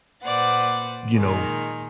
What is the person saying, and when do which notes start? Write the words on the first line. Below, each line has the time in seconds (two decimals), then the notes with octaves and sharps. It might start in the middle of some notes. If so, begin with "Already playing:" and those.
you know, f
0.24 A#2 B4 C5 D5 F#5 A6
1.15 A#2 D#3 G#3